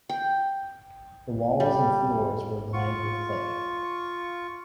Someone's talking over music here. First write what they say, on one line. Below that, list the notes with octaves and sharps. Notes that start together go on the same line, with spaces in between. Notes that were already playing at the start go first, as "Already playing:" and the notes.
The walls and floors were lined with clay.
G5
G3
F4 C#6